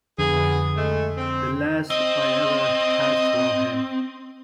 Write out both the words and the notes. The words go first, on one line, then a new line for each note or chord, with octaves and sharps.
The last I ever had from him.
F2 D3 B3 G#4
G#3 A3
C4
C4 D#5